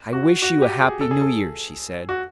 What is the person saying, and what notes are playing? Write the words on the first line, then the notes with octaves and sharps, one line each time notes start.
"I wish you a happy New Year," she said.
F#4
F#4
G4
G#4
A4
G#4
A4
F#4